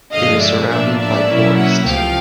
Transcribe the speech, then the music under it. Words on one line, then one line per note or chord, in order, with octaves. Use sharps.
It is surrounded by forests.
G2 D3 F3 G#3 D#5 F5
D5 E5
A2 F3 A#3 D4 D5 E5
D5 E5
B2 F#3 A#3 C#4 E4
E5 F#5
C#2 C3 F3 A3 F5 G5